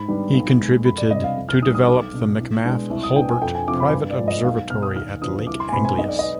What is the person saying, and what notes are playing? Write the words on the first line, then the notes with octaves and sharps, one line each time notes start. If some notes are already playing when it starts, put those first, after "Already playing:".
He contributed to develop the McMath-Hulbert private observatory at Lake Angelus.
Already playing: G#2 B5
D#3 G3 B3 D4
B1
B2 G#3
F2 B5
D5
C3 G3 D#5
F5
F2
F6
D#3 G3 D#6
D#6
B1 D6
B2 B3 D4
C2
B2 G#3 D4
C2
D#6
B2 B3 D4 G5
G#5
F2 G5
G#5
C3 F3 C4 D6
B5
G2
D5
F3 G#3
D#5
B1 F5
B2 B3 F6
D#6
D#2 F6
D3 F3 B3 D4 D#6
C2 D6
C6
G#5
B2 G#3 C4 B5
G#5
B1 D#5
D5
B3 D#5